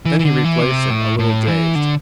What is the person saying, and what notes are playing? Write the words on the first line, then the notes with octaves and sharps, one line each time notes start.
Then he replaced it, a little dazed.
E3
E3
D3
E3
C3
A2
A2
E3
D3